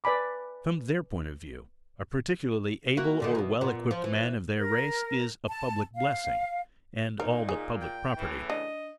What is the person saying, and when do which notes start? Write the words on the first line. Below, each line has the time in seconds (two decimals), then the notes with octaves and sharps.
From their point of view, a particularly able or well-equipped man of their race is a public blessing, and all but public property.
0.04 B4 D5 G#5 B5 D6
2.97 A#3 E4 F#4
3.20 A#2 D3 D#3
3.35 E2 B2
3.61 A#2 B3
3.91 F3
4.04 E3
4.57 A#4
5.48 A5
5.95 F5
7.20 A#2 D#4 A#4
7.49 G#4
7.81 G5
8.18 A2 C#3 E3
8.50 D4 D#5